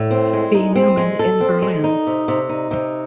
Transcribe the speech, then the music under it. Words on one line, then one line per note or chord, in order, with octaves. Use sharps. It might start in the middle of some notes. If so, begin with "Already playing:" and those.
B. Neumann in Berlin.
Already playing: A2
C4
G#3
D#4
C4
G#3
A4
C4
G#3
D#4
C3
C3
D#4
C3